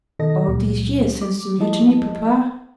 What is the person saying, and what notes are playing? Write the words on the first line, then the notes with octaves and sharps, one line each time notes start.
'All these years since the mutiny, papa?'
B2 D#3 A4 D#5 A#6
C#2 A#2 F#3
D6
F3 G3 G#3 E4 D#5 A5